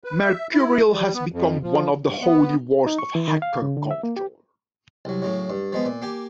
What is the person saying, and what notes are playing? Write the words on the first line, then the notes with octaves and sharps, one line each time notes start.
Mercurial has become one of the holy wars of hacker culture.
B4
E5
E4
G3
B3
F2
F3
G2
B3
D#4
C#6
E3
D#3
F5
C#3
D3
E5
A#3
G4
C2 F#3
A2 C#3 F#3
G2
F3 G#3 B3
A#2
A#3 G4 G#5